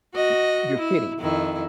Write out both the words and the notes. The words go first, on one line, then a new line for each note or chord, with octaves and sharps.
M You're kidding?
F#4 D#5
E4
F2 D#3 E4